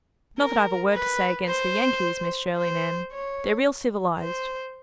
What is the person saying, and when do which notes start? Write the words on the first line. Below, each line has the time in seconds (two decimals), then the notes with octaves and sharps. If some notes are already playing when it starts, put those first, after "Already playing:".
Not that I've a word to say against the Yankees, Miss Shirley, ma'am. They're real civilized.
0.38 A#4
0.93 B4
1.47 C5
2.57 C5
3.12 C#5
4.20 C5